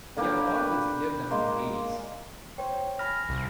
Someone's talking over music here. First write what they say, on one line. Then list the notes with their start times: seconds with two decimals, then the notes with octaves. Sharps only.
You have always lived among ladies.
0.17 D3 A#3 G4 B4
0.56 B4
1.30 G#3 A#3 C6
2.58 C5 C#5 G5
2.99 G#5 B5 F6 A#6
3.29 C2